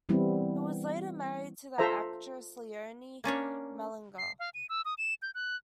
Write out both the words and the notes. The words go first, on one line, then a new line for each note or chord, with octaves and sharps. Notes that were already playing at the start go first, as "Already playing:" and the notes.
He was later married to the actress Leonie Mellinger.
E3 G3 B3 C4 E4
F4 A4 C5 E5 A#5
A#3 C#4 D4 C#5
C7
F5
D#7
E6
D#6
E7
G6
F#6